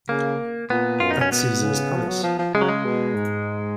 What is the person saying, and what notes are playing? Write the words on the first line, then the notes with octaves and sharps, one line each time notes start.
At Caesar's Palace.
C#3 A#3
A#2 B3
F#2 F4
D#4
C#4
B2 B3
C#3
F3
F#3
F3
F3
C#3 G#3
F#3
G#3
B2
G#2